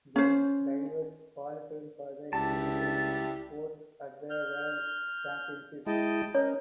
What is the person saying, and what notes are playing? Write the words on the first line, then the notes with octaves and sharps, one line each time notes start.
Greek divers qualified for the individual spots at the World Championships.
C#4 C5
C#2 E4 G4 D5 A5
F6 G6
G#3 E4 D#5 G5 A5
C#4 D#4 A#4 C#5